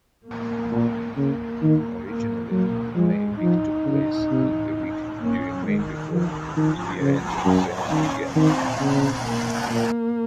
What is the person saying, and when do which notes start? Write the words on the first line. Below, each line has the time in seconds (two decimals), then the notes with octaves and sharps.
Originally May Week took place in the week during May before year-end exams began.
0.27 A#3
0.72 A#2
1.17 C#3 A#3
1.63 D#3
2.07 A#3
2.51 F#3 A#3
2.96 F3 G#3
3.41 F3 D#4
3.86 C#3
4.31 C3
5.21 A#3 C#4
5.66 D#3 G#3
6.12 F3
6.56 D#3 F3
7.01 C#3
7.46 F#2 F#3
7.91 D#3 C#4
8.36 D#3 C4
8.80 C#3 C4
9.25 A#3
9.71 A#2 A#3